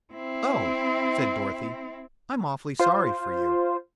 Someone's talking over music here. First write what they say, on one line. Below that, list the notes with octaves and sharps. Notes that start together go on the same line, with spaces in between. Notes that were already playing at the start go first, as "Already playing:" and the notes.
"Oh," said Dorothy, "I'm awfully sorry for you."
C4 E4
F4 C5